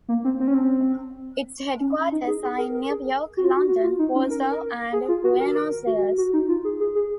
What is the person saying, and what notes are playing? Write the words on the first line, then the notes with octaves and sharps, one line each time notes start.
Its headquarters are in New York, London, Warsaw and Buenos Aires.
A#3
C4
C4
C#4
C4
C#4
D#4
G#4
G#4
A#4
A#4
G#4
F#4
F4
F#4
F#4
F4
D#4
C#4
A#4
A#4
G#4
F4
F#4
A#4
A#4
F#4
F#4
D#4
F4
G#4
G#4
G#4